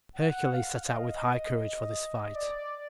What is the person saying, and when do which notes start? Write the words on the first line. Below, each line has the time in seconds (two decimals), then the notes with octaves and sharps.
Hercules set out with high courage for this fight.
0.15 F#5
0.52 F5
0.88 D#5
2.35 D5